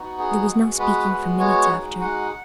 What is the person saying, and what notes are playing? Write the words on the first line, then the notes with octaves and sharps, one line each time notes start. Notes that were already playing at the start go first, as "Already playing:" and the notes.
There was no speaking for minutes after.
Already playing: B3 D#4 F#4
G#4
G#3 B3 F#4
B4
G#3 B3 F#4
C#5
G#3 D#4 F#4
F#5